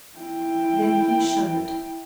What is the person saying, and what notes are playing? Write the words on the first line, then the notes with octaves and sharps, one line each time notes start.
Then he shuddered.
E4 G5